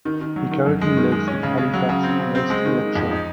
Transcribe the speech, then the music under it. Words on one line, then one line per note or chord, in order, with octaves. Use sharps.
He currently lives in Halifax, West Yorkshire.
D#3
D#3
F#3
D#3
F#2
G#3
D#3
G#3
C#4
C#3
C#3
F#3
C#3
C4
C#3
C4
G#3
D#3
D#3
F2
D#4